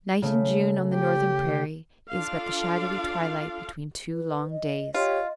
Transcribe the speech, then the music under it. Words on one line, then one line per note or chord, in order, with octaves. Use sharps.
Night in June on the northern prairie is but the shadowy twilight between two long days.
C#3 A3
G4
D4 F4 A4 F5
B4
D#5
F4 G4 C#5 D#5